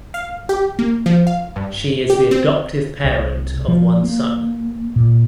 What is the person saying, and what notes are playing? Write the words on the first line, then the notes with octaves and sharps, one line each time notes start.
She is the adoptive parent of one son.
F5
G4
A#3
F3
F5
G2
G4
C4
C2
F3
A#3
A#2